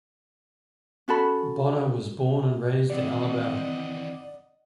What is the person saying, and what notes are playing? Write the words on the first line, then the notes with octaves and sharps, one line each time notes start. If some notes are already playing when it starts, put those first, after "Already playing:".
Bonner was born and raised in Alabama.
C#4 F#4 A4 B5
D#3 E3 C4 D5 D#5 F#5